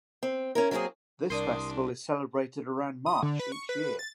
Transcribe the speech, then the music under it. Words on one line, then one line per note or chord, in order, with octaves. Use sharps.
This festival is celebrated around March each year.
C4
C#4 E4 A#4
F#3 A#3 C4 E4 G#4
C2 D4 A#4 D5 C6 D#6
D#6
D3
B4
C#6
B4
A6